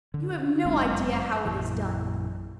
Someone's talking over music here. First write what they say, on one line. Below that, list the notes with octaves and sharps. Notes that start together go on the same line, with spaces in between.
'You have no idea how it is done.
D3
G1 F#2 G#3 C4
A#1 F#2 A#2 E3